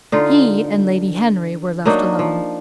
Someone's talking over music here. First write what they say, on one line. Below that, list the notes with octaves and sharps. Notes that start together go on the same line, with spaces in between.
He and Lady Henry were left alone.
D3 D#4 F4
F#3 A#3 D4 D#4
F3